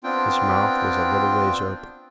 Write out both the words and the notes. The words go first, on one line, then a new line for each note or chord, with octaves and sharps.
His mouth was a little ways open.
B3 C4 D4 F4 G5